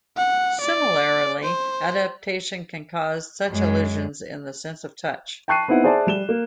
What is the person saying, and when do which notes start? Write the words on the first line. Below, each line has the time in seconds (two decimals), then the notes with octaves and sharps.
Similarly, adaptation can cause such illusions in the sense of touch.
0.17 F#5
0.60 D5
1.44 C5
3.49 F#2 G#3
5.48 G5 A5 C#6 F#6 C7 D#7
5.68 B3 C4 D#4 E4 F#5
5.84 G#4 C5 D5 E5 G#5 A5
6.07 G3 E7 G7
6.29 A#3